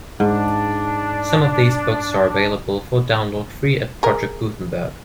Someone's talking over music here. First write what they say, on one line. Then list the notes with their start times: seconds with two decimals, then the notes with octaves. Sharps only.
Some of these books are available for download free at Project Gutenberg.
0.20 G#2 D4
4.03 G#4 A#4